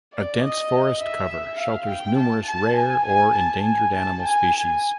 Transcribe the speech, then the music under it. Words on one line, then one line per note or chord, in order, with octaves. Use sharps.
A dense forest cover shelters numerous rare or endangered animal species.
D5
D#5
E5
F5
G5
A5
A5
G#5
G#5
A5
G#5
A5
G#5